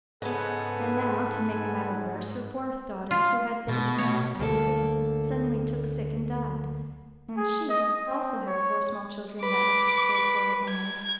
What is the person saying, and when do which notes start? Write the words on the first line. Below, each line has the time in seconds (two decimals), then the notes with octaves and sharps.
And now, to make the matter worse, her fourth daughter, who had been named Abigail, suddenly took sick and died, and she also had four small children that must be cared for in some way.
0.22 G#2 C#3 B3 A4 B4 G#5
3.11 F4
3.68 B2
3.98 C#5
4.39 D2 A#3 A4
7.37 G#4
7.69 D#5
8.07 C4
8.47 C#5
9.43 B4 D6
10.69 G#6